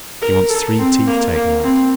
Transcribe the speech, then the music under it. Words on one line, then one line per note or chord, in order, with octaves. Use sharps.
She wants three teeth taken out.
A#4
A4
C4
A#3
A#3
C4